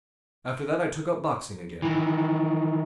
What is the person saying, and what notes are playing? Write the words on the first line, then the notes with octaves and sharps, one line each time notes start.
After that I took up boxing again.
D#3 E3